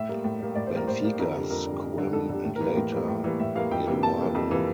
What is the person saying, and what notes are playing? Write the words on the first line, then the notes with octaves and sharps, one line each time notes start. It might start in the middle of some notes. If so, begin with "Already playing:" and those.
Benfica's Quim and later Eduardo.
Already playing: A2 E5
G3 A#3
A2
G3 A#3
A2 D5
C5
G3 A#3 A#4
A2 C5
G3 A#3
F2 A#4
D3 G3
F2 A#4
D3 G3
F2
D3 G3
F2 A4
D3 G3
A2
A#4
E3 G3 A#3
A2
E3 G3 A#3
A2
E3 G3 A#3
A2 E5
E3 G3 A#3 F5
F2 G5
C3 E3 A#3
F2 A5
C3 E3 A#3
F2
C3 E3 A#3